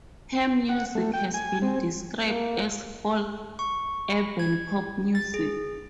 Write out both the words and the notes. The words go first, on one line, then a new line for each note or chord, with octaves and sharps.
Her music has been described as folk-urban pop music.
F#5
A3
G5
G#5
C4
A#3
C#6
B5
G#6
A6
G#4